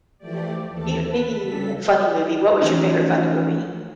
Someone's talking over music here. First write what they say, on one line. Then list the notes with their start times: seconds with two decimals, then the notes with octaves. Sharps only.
e maybe a funny movie, what was your favorite funny movie?
0.18 E3 F3 A3 G4 D5
0.69 D#2 E3 A4 A5
1.06 B4
1.40 C#3 G3 A4 B6
2.61 E3 F3 A3 C#4 D#4 F#4